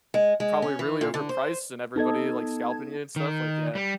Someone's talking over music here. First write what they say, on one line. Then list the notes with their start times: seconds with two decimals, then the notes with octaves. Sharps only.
Probably really overpriced and everybody, like, scalping you and stuff, like, yeah.
0.14 G#3
0.40 G#3
0.62 C#4
0.79 E3
1.01 A#2
1.14 D3
1.29 C5
1.96 B3 D#4 A4 D#5 A5 G#6
3.16 D#3
3.75 G3